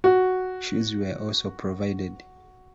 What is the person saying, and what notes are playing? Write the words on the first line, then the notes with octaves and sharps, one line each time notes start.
Shoes were also provided.
F#4